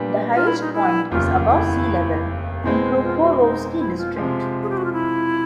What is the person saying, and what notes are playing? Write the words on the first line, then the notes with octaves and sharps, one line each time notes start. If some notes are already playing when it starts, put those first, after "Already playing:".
The highest point is above sea level, in Prokhorovsky District.
Already playing: A#2 G3 B3 D4
F4
E4
D#4
E4
F1 D#2 C#3 F4
E4
B2 G#3 C4 E4
F4
F#4
D#4
E4
F4
C3 F3 G#3
G#4
G4
F#4
F4
E4